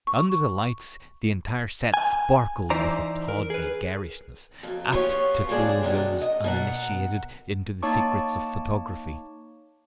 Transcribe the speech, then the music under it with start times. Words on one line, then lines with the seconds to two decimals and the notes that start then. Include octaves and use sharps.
Under the lights the entire set sparkled with a tawdry garishness apt to fool those uninitiated into the secrets of photography.
0.07 C#6
1.94 G#5
2.70 E3 D#4 E4 C5 D5 A#5
3.28 A#4
3.50 G#4 B4
4.63 F2 F#3
4.93 B3 C#4 F4 G4 A4 C#5
5.49 F3 G#3 C4 D4 G#4 D5
5.82 C3 D#3 F#3 B3 D4
6.22 D#5
6.44 B2 A#4 D#5 F#5
7.82 A#3 D#4 C#5 A5 C#6 D6